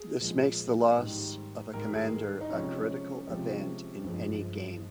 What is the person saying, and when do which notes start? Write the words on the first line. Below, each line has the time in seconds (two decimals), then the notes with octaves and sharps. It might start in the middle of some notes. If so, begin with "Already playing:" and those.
This makes the loss of a Commander a critical event in any game.
Already playing: G#4
0.20 A#2 F3 G#3
0.97 G#2 D#3 G3
1.73 G#2 D#3 G3 A#4
1.93 G#4
2.41 D#4
2.50 C3 F3 G#3 C#4
3.27 C3 F3 G#3
4.04 G2 F3 G#3